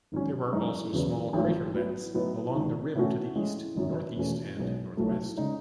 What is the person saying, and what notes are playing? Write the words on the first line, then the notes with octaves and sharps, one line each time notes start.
There are also small craterlets along the rim to the east, northeast, and northwest.
G#1 G#2 F#3 C#4
F#2 E3 G#3 D#4
E2 C#3 F#3 B3
A1 G#2 F#3 A3
A2 F#3 B3 F#4
A2 F#3 B3 D#4
G#1 G#2 D#3
A2 E3 A3 C#4 F#4
A2 G#3 C#4
G#1 F#2 D#3 F#3
E2 B2 A3 C#4
B1 B2 G#3
B1 A2 F#3 A3
C#3 G#3 D#4